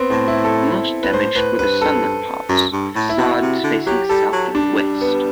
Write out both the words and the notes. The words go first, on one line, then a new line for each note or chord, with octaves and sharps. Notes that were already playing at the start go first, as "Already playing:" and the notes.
Most damaged were the sunlit parts, the facades facing south and west.
Already playing: B3 C4
A2 C4
E4
A4
B4
A2 C5
A2 B4
G2 B4
A4
F#2
G2
A2
E4
B2 F#4
C3
D3
F#3 G4
G3 A4
F#3
G3 D4
B3